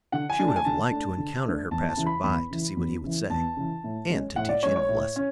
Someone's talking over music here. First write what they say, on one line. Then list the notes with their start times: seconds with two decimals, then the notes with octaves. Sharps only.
She would have liked to encounter her "passer-by," to see what he would say, and to "teach him a lesson!"
0.12 D3 F#5
0.30 G#5
0.39 A3 D4
0.48 A5
0.56 G#5
0.65 D3 A5
0.92 A3 D4
1.18 D3
1.45 A3 D4
1.71 E2 A5
1.89 A5
1.97 C#3 E3
2.06 B5
2.24 E2 B5
2.50 C#3 E3
2.77 E2
3.04 C#3 E3
3.30 E2 A5
3.57 C#3 E3
3.84 A2
4.10 G#3 C#4
4.36 A2 F#5
4.49 D5
4.63 G#3 C#4 C#5
4.76 C#5
4.89 A2
5.16 C#4